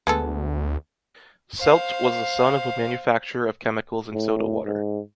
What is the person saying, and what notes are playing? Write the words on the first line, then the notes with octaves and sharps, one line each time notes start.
Seldte was the son of a manufacturer of chemicals and soda water.
D2 G#3 B3 A4
C5 F5
A2
G#2